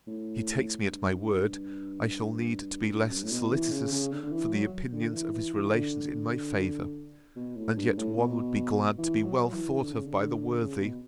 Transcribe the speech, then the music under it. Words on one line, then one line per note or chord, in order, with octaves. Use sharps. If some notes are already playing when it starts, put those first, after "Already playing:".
If he takes me at my word, I shall need to be less solicitous for the opinions of his relations in my favour: and yet one would be glad to be well thought of by the worthy.
A2
G2
F#2
G2
A2
B2
E3
C#3
C#3
D3
D3
E3
F#3
D3
E3
E3
E3
D3
B2
A2
G2
A2
B2
E3
F#3
E3
D3
C#3
D3
D3
C#3
B2